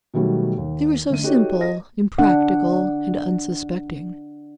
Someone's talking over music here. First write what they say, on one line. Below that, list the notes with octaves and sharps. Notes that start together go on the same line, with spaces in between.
They were so simple, impractical, and unsuspecting.
B2 D#3 F#3 G3 A3
D#2
D3 A3 D#7
D#4 F#4 G4 A4 C#5
D#5 A#6
D4 F#5